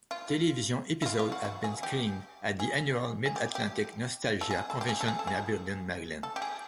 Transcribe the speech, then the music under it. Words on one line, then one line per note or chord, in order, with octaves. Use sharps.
Television episodes have been screened at the annual Mid-Atlantic Nostalgia Convention in Aberdeen, Maryland.
F4
E4
F4
F4
F#4
F#4
G#4
G4
G#4
G#4
G4
G4
A4
G#4
A4
G4
G#4
A4
G#4
A4
G#4
A4
G4
G#4